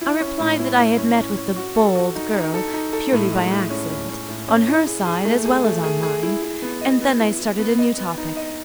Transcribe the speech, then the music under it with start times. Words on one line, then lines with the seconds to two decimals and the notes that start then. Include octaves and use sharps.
I replied that I had met with the "bold girl" purely by accident, on her side as well as on mine; and then I started a new topic.
0.01 E4
0.20 C#4
0.40 A2
0.59 E4
0.79 E4
0.98 C#4
1.18 C#4
1.37 C#4
1.56 F#4
1.76 A4
1.95 F#4
2.15 D#4
2.34 D#4
2.54 A4
2.73 D#4
2.93 A4
3.12 A2
3.32 G#3
3.51 A2
3.70 C#4
3.90 C#4
4.09 C#4
4.28 A2
4.48 C#4
4.68 E4
4.87 G#4
5.06 G#4
5.25 A3
5.45 G#4
5.64 A3
5.84 G#4
6.03 G#4
6.23 E4
6.42 E4
6.62 B3
6.81 D#5
7.01 B3
7.20 E4
7.40 E4
7.59 B3
7.79 D#5
7.98 B3
8.17 D#4
8.37 D#5